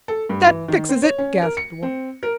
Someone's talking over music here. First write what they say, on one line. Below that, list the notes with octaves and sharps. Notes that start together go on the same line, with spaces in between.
"That fixes it!" gasped one.
A4
G2
E3
D#3
C4
C#5
C#4
A#4
C#7
C4
A#4